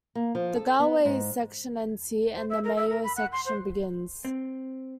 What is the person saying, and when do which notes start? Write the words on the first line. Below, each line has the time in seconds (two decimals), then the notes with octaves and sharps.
The Galway section ends here and the Mayo section begins.
0.15 A#3
0.35 F3
0.56 A4
0.79 B3
1.05 G#2
2.34 C5
2.50 E5
2.64 A#4
2.76 E5
2.89 A#4
3.03 B5
3.16 F#5
3.32 C6
3.45 C5
4.25 C4